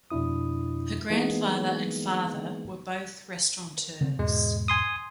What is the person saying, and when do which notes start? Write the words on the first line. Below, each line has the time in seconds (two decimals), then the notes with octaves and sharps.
Her grandfather and father were both restaurateurs.
0.10 F2 B2 D4 E4 D#6
1.10 E3 G#3 A#3 B3 D#4 G#4
4.01 C#3 A#3 C4
4.19 E2 G#2 B2 G#3
4.68 G#5 C6 D#6